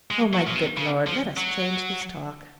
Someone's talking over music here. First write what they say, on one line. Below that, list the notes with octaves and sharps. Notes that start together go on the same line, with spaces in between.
Oh, my good Lord! let us change this talk....'
G#3
F#3
A#2
C3
C#3
F3
F#3